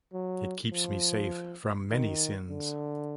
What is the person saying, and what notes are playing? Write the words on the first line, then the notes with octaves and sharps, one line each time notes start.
It keeps me safe from many sins.
F#3
F3
D#3
D3